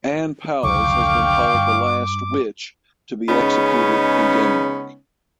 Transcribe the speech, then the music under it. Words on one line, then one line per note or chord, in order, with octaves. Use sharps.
Anne Palles has been called the last "witch" to be executed in Denmark.
F1 C#2 D3 F#3 F5 G5 C#6 D6
G2
C#3 G#3 B3 C#4 D#4